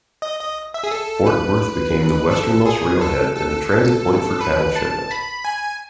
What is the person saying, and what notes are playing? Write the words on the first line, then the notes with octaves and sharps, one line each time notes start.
Fort Worth became the westernmost railhead and a transit point for cattle shipment.
D#5
D#5
E5
G#4
A4
B4
A4
G#4
A4
A4
B4
A5
B5
G#5